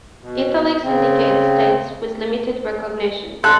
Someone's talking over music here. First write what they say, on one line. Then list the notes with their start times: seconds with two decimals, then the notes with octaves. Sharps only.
"Italics" indicate states with limited recognition.
0.21 B2
0.83 C#3 C4
3.44 A4 C6 F#6